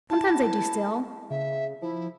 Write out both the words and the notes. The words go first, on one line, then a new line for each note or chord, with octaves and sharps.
"Sometimes I do still."
E4 A5
C#3 E5
F3 E4